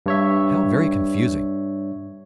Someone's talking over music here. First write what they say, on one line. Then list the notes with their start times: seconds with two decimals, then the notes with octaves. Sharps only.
How very confusing!
0.06 G2 C#5 E5